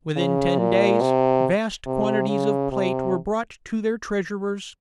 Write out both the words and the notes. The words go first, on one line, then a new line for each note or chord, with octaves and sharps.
Within ten days, vast quantities of plate were brought to their treasurers.
C#3
A#2
C3
C3
C#3
C3